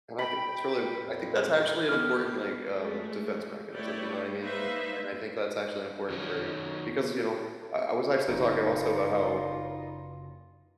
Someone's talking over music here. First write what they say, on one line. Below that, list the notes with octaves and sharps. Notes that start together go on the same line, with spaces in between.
And I think that's really I think that's actually an important, like, um, defense mechanism, you know what I mean? And I think that's actually important for because, you know I I was actually talking, also, about how,
G5 B5
F2 A#2
E2 B3 G4 F6
G#3 A3
A3 E4 B4 C#5 D5 G5
G3 A#3 D#4 B4 C5 E5
F#2 D#3 F#3 C#4
F#1 D#4 F4 B4 D5 B5